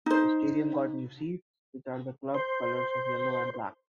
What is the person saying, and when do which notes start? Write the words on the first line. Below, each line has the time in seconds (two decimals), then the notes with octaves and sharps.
The stadium got new seats, which are the club colors of yellow and black.
0.06 D#4 C5
2.34 C5